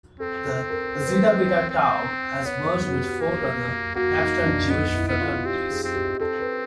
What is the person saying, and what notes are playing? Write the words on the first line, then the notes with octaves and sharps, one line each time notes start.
The Zeta Beta Tau has merged with four other national Jewish fraternities.
C4 A4
A4
A#4
C5
B4
C5
C4
B3 C#5
F#4
G4
A#3
A#3 F#4
D#4
D4
B3 D#4
E4
B3
F4
C4 G4
G#4
C4
G4
C4 A4
B4